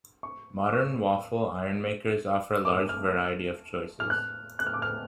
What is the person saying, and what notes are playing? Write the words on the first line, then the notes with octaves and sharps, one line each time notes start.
Modern waffle iron makers offer a large variety of choices.
C#6
D6
C#6
D6
F6
F6
F#6
F#6
F6
D6
F6